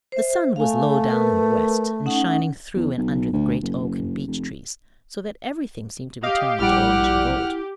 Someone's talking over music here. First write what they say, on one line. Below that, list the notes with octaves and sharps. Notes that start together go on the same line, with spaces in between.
The sun was low down in the west, and shining through and under the great oak and beech trees, so that everything seemed to be turned to orange and gold.
C5 E5
A3 F5 G#5
A#4 B4
C#4 D#4 F#5
E2
B1
D2
F#1
F1
G4 D#5 F5
A#1 G3 E4 F#5 D6 F6